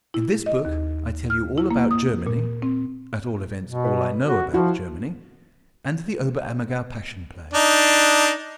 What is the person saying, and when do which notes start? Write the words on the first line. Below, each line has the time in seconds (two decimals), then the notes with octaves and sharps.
In this book I tell you all about Germany--at all events, all I know about Germany--and the Ober-Ammergau Passion Play.
0.14 E4
0.46 D#5
0.65 D#2
1.30 F6
1.58 E4
1.71 A#3
1.91 D#6
2.27 A#2
2.62 C4
3.66 B2
3.84 B4
4.26 F#4
4.54 F3 E4 F#4
7.54 D4 D#4